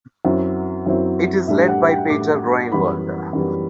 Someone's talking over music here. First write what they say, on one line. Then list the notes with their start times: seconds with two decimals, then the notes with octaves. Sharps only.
It is led by Pieter Groenewald.
0.25 F#2 F#3 C4 E4
0.86 F#2 F#3 C4 E4
1.48 A2 G3 D4 E5
1.69 F#5
1.89 G5
2.10 A2 G3 D4 D6
2.72 F#2 E3 G3 B3 B5
3.33 F#2 E3 G3 B3